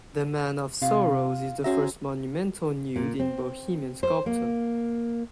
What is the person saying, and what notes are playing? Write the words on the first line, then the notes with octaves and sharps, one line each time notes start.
The Man of Sorrows is the first monumental nude in Bohemian sculpture.
C3 F4 F5
C#4 F#4 G#4 C5 E5 A#5
A#2
C4
C5
A#3